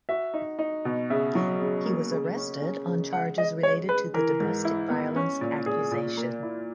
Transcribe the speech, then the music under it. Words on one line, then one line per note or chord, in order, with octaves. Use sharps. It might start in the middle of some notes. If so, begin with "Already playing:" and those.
He was arrested on charges related to the domestic violence accusation.
F#4 E5
D#4
D#4
B2
C#3 E5
F#3
C#3
A#3
C#3
C#4
C#4
C#3
G#3 F#5
G#3 D#5
G#3 C#5
G#3 B4
E3 A#4
G#2
E4
B3
C#4
A#2
A#2 G#4
A#2
A#3
E4